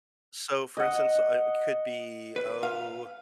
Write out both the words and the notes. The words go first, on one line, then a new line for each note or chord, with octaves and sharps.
so, for instance, I it could be, oh,
D#5 F#5
B4
F5